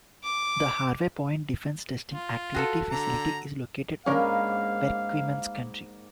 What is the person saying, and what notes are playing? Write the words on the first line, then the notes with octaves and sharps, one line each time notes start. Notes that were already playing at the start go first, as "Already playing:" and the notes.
The Harvey Point Defense Testing Activity facility is located in Perquimans County.
D6
F4
F#4 G#4 A4
D3 A#5
G#2 A#3 C#4 D4 A#4 F5 B5